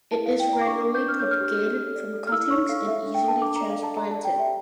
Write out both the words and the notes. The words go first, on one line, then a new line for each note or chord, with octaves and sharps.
It is readily propagated from cuttings and easily transplanted.
E4 A5
E4 F5
G5
D5 A#5
D6
D4 C#6
D4 D6
G6
D4 F6
C#5 G6
F6
G4
G4
A4
D5
A4
F6
E4 E6
C#5 C#6
A4 F5
A4 E5
D4
G5
A4 A5
D4 D6
D5 A#5
F5
A4 A5
D5 A#5
D5 A5
G5
G4
E5